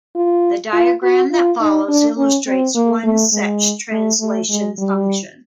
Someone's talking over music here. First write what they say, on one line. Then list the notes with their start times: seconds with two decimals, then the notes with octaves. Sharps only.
The diagram that follows illustrates one such translation function.
0.16 F4
0.73 F4
1.03 F#4
1.32 F4
1.60 D#4
1.88 D4
2.18 C#4
2.47 C4
2.75 A#3
3.04 A3
3.33 G#3
3.92 A3
4.21 A3
4.49 G#3
4.78 G3